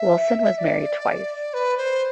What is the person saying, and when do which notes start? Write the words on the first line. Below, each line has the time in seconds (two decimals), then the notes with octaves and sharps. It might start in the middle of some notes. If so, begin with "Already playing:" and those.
Wilson was married twice.
Already playing: E5
0.58 D5
1.54 B4
1.78 C5